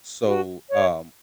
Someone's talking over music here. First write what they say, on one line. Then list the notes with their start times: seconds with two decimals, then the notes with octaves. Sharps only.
so, um
0.25 F#4
0.70 C#5